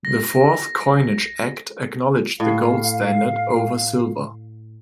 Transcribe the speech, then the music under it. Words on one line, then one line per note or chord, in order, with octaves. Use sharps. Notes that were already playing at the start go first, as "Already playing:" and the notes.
The Fourth Coinage Act acknowledged the gold standard over silver.
A#6
A2 F5